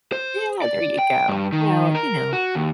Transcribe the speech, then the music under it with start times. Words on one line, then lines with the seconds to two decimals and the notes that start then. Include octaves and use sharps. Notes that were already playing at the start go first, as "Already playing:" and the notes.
Yeah. There you go. Well, you know,
0.12 C5
0.62 D5
0.99 G5
1.29 G2
1.53 D#3
1.95 A#4
2.33 F#4
2.55 D#2